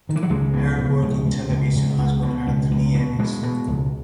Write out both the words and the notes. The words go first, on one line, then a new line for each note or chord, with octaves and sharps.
Her work in television has won her three Emmys.
D#3
E3
F#3
C#2 G#3
B2
B2
C#2
C#2
C#2
C#2
C#2
B2
C#2
C#2
B2
B2 G#3
B2
C#2